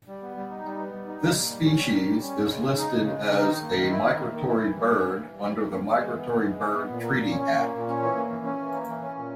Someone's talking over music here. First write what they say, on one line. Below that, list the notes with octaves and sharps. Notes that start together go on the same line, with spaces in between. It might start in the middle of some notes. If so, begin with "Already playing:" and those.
This species is listed as a migratory bird under the Migratory Bird Treaty Act.
G3
B3
G3
D#4
G3
B3
G3
D#4
G3
A#3
G3
C#4
G3
A#3
G3
C#4
C#3
G#3
C#3
D#4
C#3
G#3
C#3
D#4
D#3
A#3
D#3
E4
D#3
A#3
D#3
E4
E3
G3
E3
A#3
E3
G3
E3
A#3
E3
G#3
E3
B3
E3
G#3
E3
B3
A#2
A#3
A#2
C#4
A#2
A#3
A#2
C#4
E3
A#3
E3
C#4
E3
A#3
E3
C#4
A#2